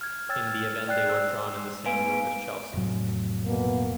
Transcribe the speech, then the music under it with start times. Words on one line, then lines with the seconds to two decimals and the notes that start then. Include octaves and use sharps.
In the event they were drawn in the same group as Chelsea.
0.01 F6 G#6
0.29 C#5 G5 E6 G#6 A6
0.47 F6 A6
0.88 D5 G5 F#6 C7
1.09 E6
1.86 A3 B3 B4 F5 G#5 D7
2.74 F1 A2 F#3
3.45 B2 A#3